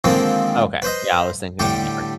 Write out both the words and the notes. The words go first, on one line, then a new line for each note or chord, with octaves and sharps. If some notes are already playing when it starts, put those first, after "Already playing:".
Okay. Yeah, I was thinking of a different
D3 D#3 F3 G#3 A#3 C4
B4 C5 D#5
A2 D3 G3 G4